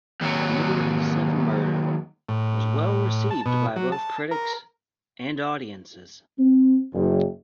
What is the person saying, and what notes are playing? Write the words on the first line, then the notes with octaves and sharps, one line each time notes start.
"Memories of Murder" was well received by both critics and audiences.
D#2 F#3
A2
A5
B2
F#3
A5
A#4
C4
F#1